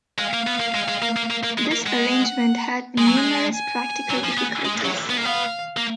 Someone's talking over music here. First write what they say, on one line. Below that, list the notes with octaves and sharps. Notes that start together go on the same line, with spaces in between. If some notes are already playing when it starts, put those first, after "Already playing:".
This arrangement had numerous practical difficulties.
G#3 F5
A#3
B3
A#3
G#3
G#3
A#3
A#3
A#3
A#3
G#3
A#3
G#3 F#5
G#3 G#5
F#3
G#3
G#5
F#3
F3
B3
G#3
F#3
B3
A#3
B3 F5
A#3